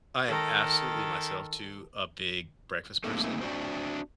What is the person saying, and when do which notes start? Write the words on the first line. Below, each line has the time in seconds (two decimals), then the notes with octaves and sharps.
I am absolutely myself too a big breakfast person.
0.28 D#3 A4
3.04 A3 A#3 C4 D#4 G4 A4
3.41 C4 D4 F#4 C5